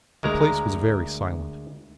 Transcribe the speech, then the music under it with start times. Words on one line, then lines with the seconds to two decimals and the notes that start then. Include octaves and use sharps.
The place was very silent.
0.23 D2 G#3 A#4 A#5